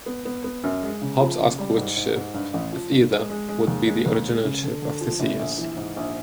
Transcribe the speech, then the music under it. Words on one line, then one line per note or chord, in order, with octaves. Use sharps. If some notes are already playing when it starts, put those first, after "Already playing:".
Hobbes asked which ship, if either, would be the original Ship of Theseus.
B3
B3
B3
F#2
G#3
C#3
F3
C#3
G3
G#2
G#2
G#2
G2
A1
F3
G2
G#3
G#3
G#3
D#2
G#3
D#2
G#3
C#3
D3
D3
F3
G1
A#1
E3
G#2
A#1